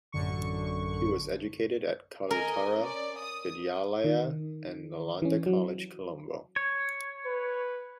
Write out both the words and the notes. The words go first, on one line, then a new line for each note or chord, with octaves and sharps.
He was educated at Kalutara Vidyalaya and Nalanda College Colombo.
A1 F#2 D3 C#6
A#4 D#5 G#5
C#4 D5
D#6
D#3
E3 C#4
F#3
C#5
B4